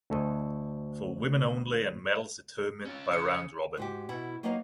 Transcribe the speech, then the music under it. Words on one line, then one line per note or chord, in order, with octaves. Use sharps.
For women only and medals determined by round robin.
D2 A4 D#5
C#4 F4
C#3 D#6 C#7
G#2 F#4 G4
B2 E4 F#4 F#5
F#3 A#3 B3 D#4 D#5 F5